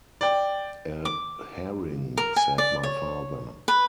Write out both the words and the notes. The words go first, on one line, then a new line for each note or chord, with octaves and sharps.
"A herring," said my father.
D5 G5
D6
A#4
G#5
D5
C#5
B4